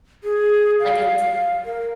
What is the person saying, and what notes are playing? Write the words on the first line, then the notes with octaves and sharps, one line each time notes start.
Like, a t
G#4
F5
A#4